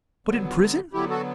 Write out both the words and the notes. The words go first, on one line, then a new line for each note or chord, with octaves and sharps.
"But in prison?"
D3 F#3 B3
D3 F#3 B3 E4 G4
F#4 A4